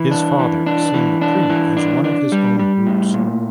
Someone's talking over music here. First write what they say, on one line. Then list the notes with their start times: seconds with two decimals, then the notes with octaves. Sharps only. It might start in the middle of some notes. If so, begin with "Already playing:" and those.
His father seeing the pre as one of his own roots.
Already playing: E3
0.11 D4
0.39 E3
0.66 D4
0.94 E3
1.22 D4
1.50 E3
1.77 D4
2.04 D4
2.32 G3
2.59 G3
2.87 A2
3.14 A#2